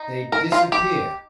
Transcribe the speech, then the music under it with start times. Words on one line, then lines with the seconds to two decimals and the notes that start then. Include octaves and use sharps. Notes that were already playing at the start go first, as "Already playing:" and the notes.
They disappear.
Already playing: D#4
0.32 A#4
0.52 F4
0.72 G4